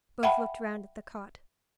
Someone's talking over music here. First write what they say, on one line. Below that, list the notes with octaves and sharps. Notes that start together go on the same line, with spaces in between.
Both looked round at the cot.
E5 F#5 G5 A5 B5